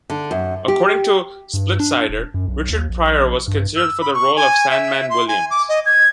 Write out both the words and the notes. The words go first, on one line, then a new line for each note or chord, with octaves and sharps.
According to Splitsider, Richard Pryor was considered for the role of Sandman Williams.
D3
F#2
G4
G2
D4
D#1
F#2
B1
D#2
A#1
G2
E6
B5
C#6
G#5
E5
C6
G#5
D6
D#5
G#6